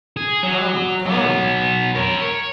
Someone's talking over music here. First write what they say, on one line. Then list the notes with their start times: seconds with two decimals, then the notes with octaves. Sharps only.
"Come, come!"
0.17 G#4
0.43 F#3
1.06 F#3 B3
1.95 A#4 C#5
2.22 C#5